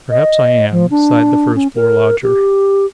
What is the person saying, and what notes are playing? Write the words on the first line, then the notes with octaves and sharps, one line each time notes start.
Perhaps I am,' sighed the first-floor lodger.
D#5
F3
D4
C#4
A#4
G4